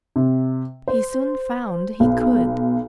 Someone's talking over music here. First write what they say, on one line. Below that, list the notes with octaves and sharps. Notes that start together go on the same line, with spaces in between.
He soon found he could.
C3
C5
B1